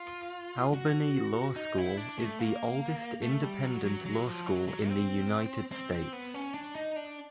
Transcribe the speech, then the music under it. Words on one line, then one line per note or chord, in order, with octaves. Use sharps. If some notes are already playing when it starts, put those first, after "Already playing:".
Albany Law School is the oldest independent law school in the United States.
Already playing: F4
F#4
D#4
E4
D4
A3
A#3
A3
G3
F#3
F#3
F#3
F3
F#3
F#3
C4
C4
C4
B3
C#4
D4
D#4
D4